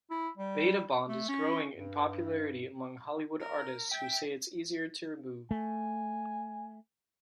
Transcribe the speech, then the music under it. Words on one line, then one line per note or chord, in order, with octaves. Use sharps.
BetaBond is growing in popularity among Hollywood artists who say it's easier to remove.
E4
G3
A3
C#4
G2
A#4
E5 G5
A3 G#5